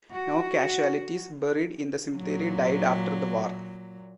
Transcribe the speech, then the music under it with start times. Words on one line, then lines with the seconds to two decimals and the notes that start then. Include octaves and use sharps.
No casualties buried in the cemetery died after the war.
0.11 F#4
2.16 A#2 F#3